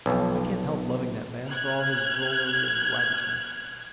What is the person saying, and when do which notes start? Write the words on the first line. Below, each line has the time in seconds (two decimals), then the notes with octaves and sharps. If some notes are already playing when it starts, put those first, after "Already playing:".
I can't help loving that man, for all his drollery and waggishness.
0.06 B1 F2
1.48 F6 F#6 G#6